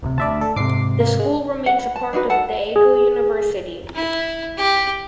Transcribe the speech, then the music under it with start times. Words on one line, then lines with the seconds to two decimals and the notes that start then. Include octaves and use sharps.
The school remains a part of Daegu University.
0.03 D1 C3
0.18 D2 D5 E5 A5
0.41 A4
0.56 G#2 C3 D6 C7
1.00 A#3
1.19 G#3
1.66 F#5
1.79 B4
1.96 A5
2.13 D4 D#4 F#4 B4
2.29 A4 F#5 A5
2.76 G#4
3.95 E4
4.57 G4